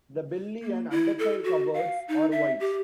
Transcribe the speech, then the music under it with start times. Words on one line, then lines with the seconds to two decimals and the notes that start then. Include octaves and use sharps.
The belly and undertail coverts are white.
0.63 A#3
0.90 E4
1.19 A4
1.44 F#4
1.74 F5
2.08 D#4
2.32 E5
2.60 G4